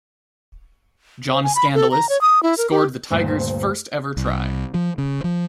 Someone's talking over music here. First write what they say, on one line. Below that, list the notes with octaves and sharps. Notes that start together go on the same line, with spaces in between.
John Skandalis scored the Tigers' first ever try.
C5
G#5
B5
A4
A#5
C#5
D#6
E4
A#4
G4
D2 G2 A#2 C5
C2
F3
C#3
F3